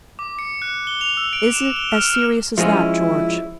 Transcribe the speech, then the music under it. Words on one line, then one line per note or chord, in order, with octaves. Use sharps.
"Is it as serious as that, George?"
D6
C#7
F#6
G7
F7
E6
D7
E7
G7
F6
F6
F3 G#3 C#4 E4